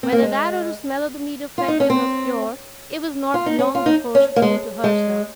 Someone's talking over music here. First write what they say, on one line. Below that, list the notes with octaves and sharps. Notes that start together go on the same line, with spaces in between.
Whether that or the smell of the meat effected her cure, it was not long before she came to herself.
C4
A#3
G#3
F4
D#4
C#4
C4
F4
D#4
C#4
F4
D#4
C#4
A#3
G#3
G#3